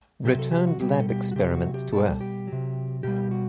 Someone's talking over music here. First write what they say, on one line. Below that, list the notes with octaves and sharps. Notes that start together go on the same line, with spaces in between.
Returned lab experiments to earth.
C3 F#3 G4
A4
G4
F#4
B2 G3 G4
A4
G4
F#4
C3 F#3 G4
F#4
G4
B2 G3 A4
G4
F#3
C3
B2 G3 G4
F#4